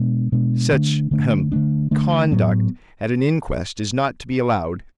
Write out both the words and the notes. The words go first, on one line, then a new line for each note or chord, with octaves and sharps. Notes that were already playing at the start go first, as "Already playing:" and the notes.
Such--ahem! conduct at an inquest is not to be allowed.
Already playing: B2 G#3 B3 D4
B2 G#3 B3 D4
D3 A3 D4
D3 A3 D4
D3 A3 D4
D3 A3 D4
A2 F#3 B3